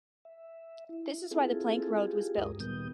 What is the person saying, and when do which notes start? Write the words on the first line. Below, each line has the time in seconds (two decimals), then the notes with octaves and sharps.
This is why the Plank Road was built.
0.25 E5
0.89 E4
1.31 C4 E4 F4 G#4 A4
2.07 F4 G4 G#4
2.37 D2 G2 G#3 A#4 D#6
2.60 A#2 D#3 G3 B3 D#6 G6